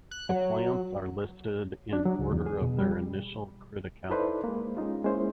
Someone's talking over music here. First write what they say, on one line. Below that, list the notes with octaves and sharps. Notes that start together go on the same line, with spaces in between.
The plants are listed in order of their initial criticality.
F#6
F#3
D4
F#3
C#2
E2
G#4
B2
G3
D#4 E4 A4 B4 C5 D5
G#3 A#3
G#3 C#4 D#4 F4
G#3 A#3 C#4 E4 C5